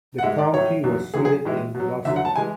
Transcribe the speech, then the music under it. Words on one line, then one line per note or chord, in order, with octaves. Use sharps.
The county was seated in Glostrup.
F#5
G#2 G#3 E5
D5
A2 F#3 C#5
E2 B2 F#3
E2 D3 F#3 G#4
G#4
A2 E3 G#3
B2
F#3
E2 D3 F#3 E5
F#5
A5
E3 G#3 G#5